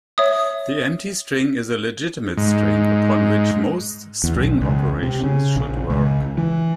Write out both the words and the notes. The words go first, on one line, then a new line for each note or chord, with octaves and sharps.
The empty string is a legitimate string, upon which most string operations should work.
C#5 E5 D#6
G#2
E2
B1
C#2
C3
C#3
A#1
C#2
E3